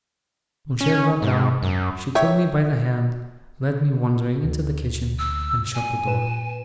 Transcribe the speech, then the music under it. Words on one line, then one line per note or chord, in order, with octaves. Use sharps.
When she had got down, she took me by the hand; led me, wondering, into the kitchen; and shut the door.
C#4
G#2
F#2
C#5 E5 G5
D2
E6
G#5
A#2 B4 E7